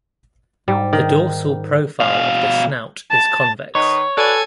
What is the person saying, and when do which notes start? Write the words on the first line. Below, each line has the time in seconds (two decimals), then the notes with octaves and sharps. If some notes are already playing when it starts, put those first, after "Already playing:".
The dorsal profile of the snout is convex.
0.68 G#2 G3
0.93 D#3
2.00 B2 F5
3.10 A5
3.75 D#3 B4 C#5 D#5
4.17 F#4 A4 B4 D5 G#5 G#6